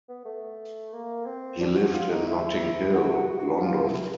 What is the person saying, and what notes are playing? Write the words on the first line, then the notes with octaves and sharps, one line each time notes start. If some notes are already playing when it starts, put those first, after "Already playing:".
He lived in Notting Hill, London.
B3
A3
A#3
C4
D4
F#4
F4
D#4
E4
F#4
F#4
F#4
F4
E4